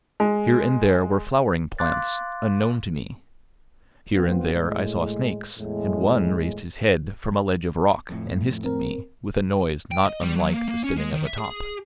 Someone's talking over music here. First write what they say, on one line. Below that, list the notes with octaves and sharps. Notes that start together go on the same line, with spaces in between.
Here and there were flowering plants, unknown to me; here and there I saw snakes, and one raised his head from a ledge of rock and hissed at me with a noise not unlike the spinning of a top.
G#3
F5 C6 D6 F#6 A6
D2 B3 C4 F4
A2 G#3
E2 A2 G#3
F2 A2
C4 A#4
G5
D#5
G3
F#3
A#3
A#3
C#4
G#3
D#3
E5
G#4